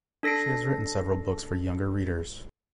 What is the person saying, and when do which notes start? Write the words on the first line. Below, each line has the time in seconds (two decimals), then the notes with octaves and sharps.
She has written several books for younger readers.
0.23 D4 A4 A#6 C7 D7